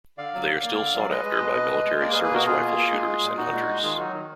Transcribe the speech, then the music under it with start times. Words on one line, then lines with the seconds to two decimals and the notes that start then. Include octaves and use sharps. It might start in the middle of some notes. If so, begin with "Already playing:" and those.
They are still sought after by military service rifle shooters and hunters.
0.18 D3 D5 F5
0.34 F#3
0.48 D3
0.64 A#3
0.79 D3
0.94 F#3 D5
1.09 G#3 B4 D#5
1.24 G#3
1.40 B2
1.55 B2
1.71 G#3
1.85 G#3
2.00 A#3 A#4 D5
2.12 G#4 B4
2.16 A#3
2.24 G#4 B4
2.31 B2 F#4 A#4
2.46 B2 F4 G#4
2.61 A#3
2.76 A#3
2.91 G#3
3.07 G#3
3.22 A#2
3.37 A#2 D#4 F#4
3.52 G#3
3.68 G#3
3.83 D#3 F4 G#4
3.98 F#3 D#4 F#4
4.13 D#3